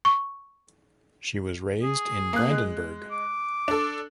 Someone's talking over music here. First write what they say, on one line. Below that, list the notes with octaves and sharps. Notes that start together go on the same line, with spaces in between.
She was raised in Brandenburg.
C#6
G#4
A#3 F#6
G#3
D6
D4 A4